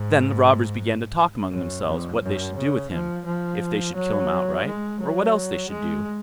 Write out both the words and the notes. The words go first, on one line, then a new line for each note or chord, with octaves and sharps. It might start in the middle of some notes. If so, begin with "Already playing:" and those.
Then the robbers began to talk among themselves what they should do with him; if they should kill him outright, or what else they should do.
Already playing: G#2
F#2
F2
F#2
C#3
F3
F3
F#3
G#3
F#3
G#3